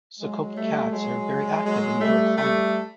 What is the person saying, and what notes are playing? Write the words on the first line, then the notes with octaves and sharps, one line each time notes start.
Sokoke cats are very active and enjoy climbing.
F#3 G#3
G3 A3
F#3 G#3
F#3 G#3
G3 A3
G3 A3